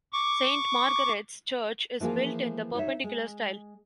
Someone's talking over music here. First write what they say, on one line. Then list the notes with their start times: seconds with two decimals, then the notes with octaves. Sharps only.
Saint Margaret's Church is built in the Perpendicular style.
0.13 C#6 D6
2.00 E3 F3 A#3 F4 G#4
2.75 D#4 C#5 E5
3.04 G#3